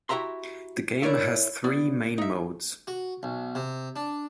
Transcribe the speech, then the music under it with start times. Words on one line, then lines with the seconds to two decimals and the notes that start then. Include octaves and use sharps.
The game has three main modes.
0.09 E4 F#4 G4 E5 A#5 C6
1.02 E4 A#4 C#5 D5 E5
1.64 B3 E4 D5
2.18 D#4 E5
2.87 F#4
3.23 B1
3.55 C3
3.96 D4